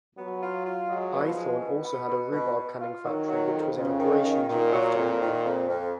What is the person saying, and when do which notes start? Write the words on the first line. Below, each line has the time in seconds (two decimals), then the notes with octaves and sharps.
Eythorne also had a rhubarb-canning factory which was in operation until after the war.
0.17 F#3 B3
0.41 F4
0.65 F4
0.89 F#3 G#3
1.13 B2
1.25 F3
1.37 G#3
1.61 B2
1.84 B3
2.09 B2
2.32 B2
2.56 B2
2.81 F4
3.04 D#3 F#3
3.28 F#3
3.52 F2
3.76 F2 C#3
4.00 D#3
4.24 D#3
4.48 A#2 D#3
4.72 F#3
4.97 F2
5.21 D#3
5.44 F2
5.68 F2